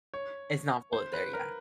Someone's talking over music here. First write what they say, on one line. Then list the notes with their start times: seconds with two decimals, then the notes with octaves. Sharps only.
It's not fully there yet.
0.14 C#5
0.93 C5
1.13 B4
1.33 A#4